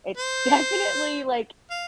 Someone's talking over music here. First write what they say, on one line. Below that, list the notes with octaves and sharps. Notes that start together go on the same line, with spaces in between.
it's definitely, like
C5
F5